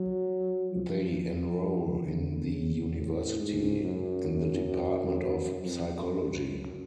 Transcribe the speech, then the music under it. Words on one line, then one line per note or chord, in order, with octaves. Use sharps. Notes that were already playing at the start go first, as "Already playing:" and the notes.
They enroll in the University in the Department of Psychology.
Already playing: F#3
F3
D3
C#3
A2
G#2
F#2
F2
F#2
F#2